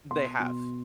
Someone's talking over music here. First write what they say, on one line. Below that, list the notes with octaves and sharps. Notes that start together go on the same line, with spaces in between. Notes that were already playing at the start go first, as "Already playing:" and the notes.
They have.
B2 C6
B2